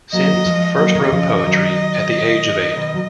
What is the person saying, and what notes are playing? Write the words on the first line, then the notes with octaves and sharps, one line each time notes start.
Simms first wrote poetry at the age of eight.
F#3 A#3 D#5
F#3
F3 G#3
F#3 A#3 D#5
B2 D#3
C#3 F3
C#3 F3
D#3 F#3
B2 D#3
F#3